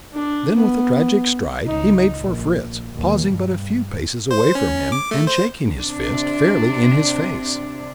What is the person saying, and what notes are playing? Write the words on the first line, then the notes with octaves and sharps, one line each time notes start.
Then, with a tragic stride, he made for Fritz, pausing but a few paces away from him, and shaking his fist fairly in his face.
D4
B3
C#2 D#4
A#1
D#2 B2
G2
C5
C#4
D6
A3
C5
C3 D4